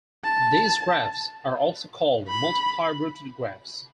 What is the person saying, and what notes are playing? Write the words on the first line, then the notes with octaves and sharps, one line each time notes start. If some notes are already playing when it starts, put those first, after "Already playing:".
These graphs are also called multiply rooted graphs.
A5
B5